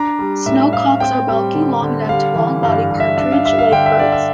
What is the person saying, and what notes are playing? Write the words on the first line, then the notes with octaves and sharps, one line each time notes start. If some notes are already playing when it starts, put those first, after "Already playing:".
Snowcocks are bulky, long-necked, long-bodied partridge-like birds.
Already playing: D4 A#5
G3
A2 E5
A2 F5
C4 G5
G3
D3
D3
G3 F5
E3
G2 F5
G2
E5
D4 E5
F5
G3 E5
F5
D3 G5
E5
D3 D5
E5